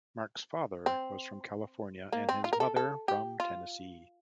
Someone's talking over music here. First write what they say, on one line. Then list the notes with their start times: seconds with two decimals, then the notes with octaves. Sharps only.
Mark's father was from California and his mother from Tennessee.
0.86 C4
2.12 A#3
2.29 C4
2.44 F4
2.53 A#4
2.60 A4
2.76 A4
3.08 G4
3.40 F4